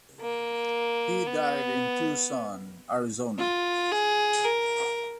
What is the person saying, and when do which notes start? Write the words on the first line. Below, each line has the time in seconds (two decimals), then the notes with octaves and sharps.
He died in Tucson, Arizona.
0.20 A#3
1.27 B3
3.39 F4
3.92 G#4
4.45 A#4